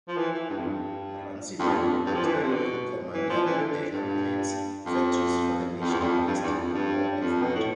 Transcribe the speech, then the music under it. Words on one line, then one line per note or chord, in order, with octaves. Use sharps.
Runciman proposed a bill "commandeering" the armaments factories for the nationalised war effort.
F3
E3
E3
G2
F2
G2
F2
G2
F2
G2
F3
E3
D3
C3
B2
E3
F3
E3
D3
D3
G2
F2
F2
E2
F2
G2
E2
E2
F2
G2
F2
B2
A2